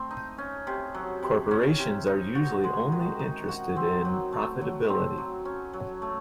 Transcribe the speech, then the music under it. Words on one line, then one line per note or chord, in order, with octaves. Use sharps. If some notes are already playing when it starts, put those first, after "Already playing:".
Corporations are usually only interested in profitability.
Already playing: A3 C4
D#4
C#4
C3
F#3
C3
C#4
C3
D#4
F#4
G#3
D#3
D#4
F#4
C4
F#3
A3
F#3
C4
F#3
C#4
F#3
A3